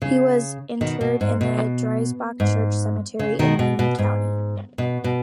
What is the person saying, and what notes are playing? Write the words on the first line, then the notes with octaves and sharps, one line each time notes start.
He was interred in the Driesbach Church Cemetery in Union County.
C#3
B2 D#3
B2
G#2
B2
G#2
C#3
B2 D#3
B2
B2
G#2
B2
B2